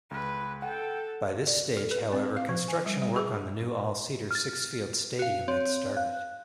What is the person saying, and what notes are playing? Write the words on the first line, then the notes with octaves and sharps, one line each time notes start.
By this stage, however, construction work on the new all-seater Sixfields Stadium had started.
C#2 B4
A4 F#5 G5
D5
A4
B4
C4
F5
F3
G#5
G3
G3
G#4
F6 A6
F#4 F5
C4 C#5
F5 F#6